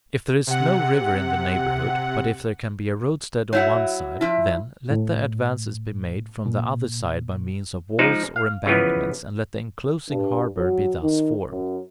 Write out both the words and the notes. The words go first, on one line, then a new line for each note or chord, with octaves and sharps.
If there is no river in the neighbourhood, but if there can be a roadstead on one side, then, let the advances be made from the other side by means of walls or embankments, and let the enclosing harbour be thus formed.
C3 F#5
F#3 E4 C#5 F#5
F3 E4
A2
A#2
F3 G#3 D#4 C5 D5
F5
C#3 E3 F3 B3
G2
F#3
D#3
F#2